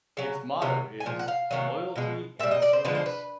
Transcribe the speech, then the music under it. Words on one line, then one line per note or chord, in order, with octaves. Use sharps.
Its motto is "Loyalty and Service".
C#3 F#3
C3 D#3 F#3
G#5
A#2 F3
F#5
F5
C3 D#3 F#3
B2 G#3
A#2 G3 E5
D#5
D5
C5
D3 F3 G#3 B4
C5
B4